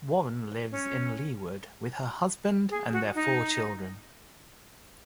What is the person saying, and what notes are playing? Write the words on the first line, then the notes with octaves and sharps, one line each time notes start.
Warren lives in Leawood with her husband and their four children.
C#4
G#4
F#4
D#4